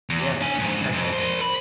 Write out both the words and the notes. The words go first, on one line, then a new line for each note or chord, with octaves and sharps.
Yeah, exactly.
E2
D4 G#5
F2 G#2
F2
A#4 C5
B5